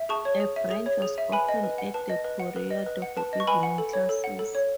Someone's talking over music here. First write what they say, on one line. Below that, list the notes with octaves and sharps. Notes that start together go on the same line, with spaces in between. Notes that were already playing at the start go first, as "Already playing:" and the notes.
A branch was opened at The Corridor for evening classes.
Already playing: E5
G#4 A5 C#6
C#5
G#4
E5
G#4
C#5
G#4
E5
B4 G#5 B5
D#5
B4
F#5
B4 A5
D#5
B4
F#5
B4
D#5
B4
F#5
B4 A5
D#5
C#6
B4 G#5 B5
F#5
A4
C#5
A4
F#5
A4
C#5